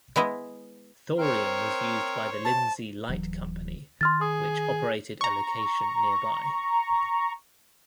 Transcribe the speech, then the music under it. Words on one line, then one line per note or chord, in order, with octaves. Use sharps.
Thorium was used by the Lindsay Light Company, which operated a location nearby.
G#3 B3 E4 D#5
C4 A#4 C5 C#5
A5
D1 E3 F#3
D#3 C6 F6 A6
G#4 D#6
A#5 C#6